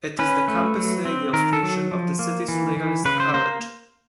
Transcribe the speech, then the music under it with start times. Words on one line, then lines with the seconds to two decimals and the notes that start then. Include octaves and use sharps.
It is the campus radio station of the city's Loyalist College.
0.19 C#4 B4
0.48 A3
0.76 F#3
1.05 C4
1.33 D#3 A#4
1.53 A4
1.62 F#3
1.91 F3
2.19 A#3
2.48 E3
2.77 E3
3.05 C#3 B4
3.20 C5
3.34 A#3 C5